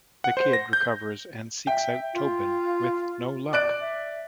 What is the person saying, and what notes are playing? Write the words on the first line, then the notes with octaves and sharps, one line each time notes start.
The kid recovers and seeks out Tobin, with no luck.
F#5
C5
A#6
G6
E5 G5
F4
D5 F#6 D7
E5